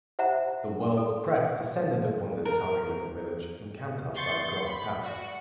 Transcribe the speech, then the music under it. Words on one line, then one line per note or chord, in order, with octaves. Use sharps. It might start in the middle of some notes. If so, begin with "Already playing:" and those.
The world's press descended upon this charming little village and camped outside Grant's house.
C5 E5 F#5 A#5
A4
A#4
C6 C#6 G6 A6 C7
B5
F#4 D5